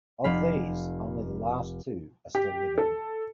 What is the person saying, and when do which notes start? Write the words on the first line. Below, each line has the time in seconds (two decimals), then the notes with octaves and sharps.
Of these, only the last two are still living.
0.24 F1 F5 B5
2.35 G4
2.78 A4